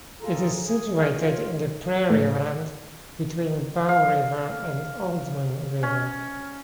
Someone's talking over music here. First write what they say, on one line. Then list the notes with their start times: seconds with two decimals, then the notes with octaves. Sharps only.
It is situated in the prairie land between Bow River and Oldman River.
0.21 F4 G#4 A4 A#5
0.61 G#4
0.94 G#4 F5 F6
1.17 F4 C#5
2.10 A2
3.89 F5
5.83 C#4